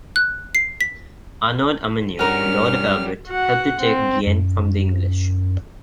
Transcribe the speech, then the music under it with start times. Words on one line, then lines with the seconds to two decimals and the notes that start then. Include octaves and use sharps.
Arnaud Amanieu, lord of Albret, helped to take Guienne from the English.
0.16 F#6
0.55 C7
0.81 B6
2.19 G2 G3 C#4 F#4 A#4 F6
3.28 F#4 F#5
3.81 C4
4.27 F#2